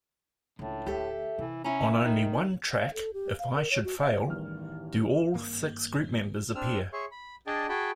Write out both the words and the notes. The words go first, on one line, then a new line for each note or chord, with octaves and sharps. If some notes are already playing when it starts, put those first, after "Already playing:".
On only one track, "If I Should Fail", do all six group members appear.
C#2 A2 D4
D2 G4 A4 E5
C3 E3
C#4 E4 A#5
D#3
F5
A4
G4
F5
A#4
C#5
F#4
E5
A1 E2 G2 D#3 F6
G#1 G2 A#3
C4 D4 E6 F6
G#4 C#5 E5 C6 C#6
B5
D4 G#4 D5 D#5 G5 A5
F#4 G#4 G5 A5 B5